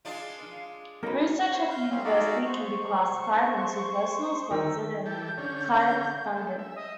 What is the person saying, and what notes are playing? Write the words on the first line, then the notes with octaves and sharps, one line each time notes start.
Research at the university can be classified into personal, sponsored, and client-funded.
G#3 D4 F4 F5
A#3 C#4 D#4 F#4 A#4 B4
C5 C#5
F5 G6
G3 C4 C#4 F5
D#4 F#4 G4 A4 D5 F5
C5 C#6
D#3 D#4 E6
E3 G4 A4 G6
D3 C#4
A3
E5
D#5